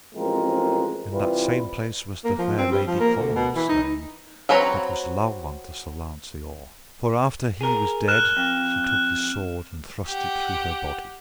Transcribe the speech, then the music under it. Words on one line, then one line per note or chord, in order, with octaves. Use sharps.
And in that same place was the fair lady Colombe slain, that was love unto Sir Lanceor; for after he was dead she took his sword and thrust it through her body.
A1 F3 G#3 C4 A#4
C2 E3 G3 F4 B4
A#3
F3
C4
G3
F3
A#3
D2
B2
E3
D#4
F#3 C4 B4 C#5 A#5
G#4 A#4
F6 F#6 E7
F2
F#6
G4 F#5